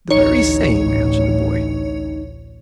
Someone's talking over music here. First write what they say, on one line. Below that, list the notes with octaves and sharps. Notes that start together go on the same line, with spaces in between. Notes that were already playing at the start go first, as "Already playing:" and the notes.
"The very same," answered the boy.
A1 D2 A2 D#4 C#5 C#7